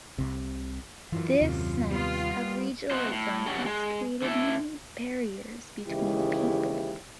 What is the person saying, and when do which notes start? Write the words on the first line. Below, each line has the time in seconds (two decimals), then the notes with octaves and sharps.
This sense of regionalism has created many barriers between people.
0.18 C2 C3
1.12 F#2 E3 F4
1.41 D#2 C3
1.90 G3 B3 F4
2.91 C3 B3 D#4 F#4 C5
3.11 A2
3.46 C#3 F#3 G3 C#4 F#4 A4
3.66 G#3
4.22 D3 A3 E4
5.86 D#2 C#3 E3 G#3 E4 G4